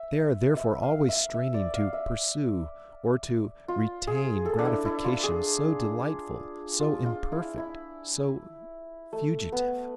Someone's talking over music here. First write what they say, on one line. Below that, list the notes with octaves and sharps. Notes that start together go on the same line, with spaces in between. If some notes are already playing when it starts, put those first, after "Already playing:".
They are therefore always straining to pursue or to retain gratifications so delightful, so imperfect, so fugitive.
Already playing: E5
E5
F5
E5
E5
D5
F5
E5
F4
G#4
A4
D4
E4
E4
F4
G#4
F4
F4
E4
E4
A3
B3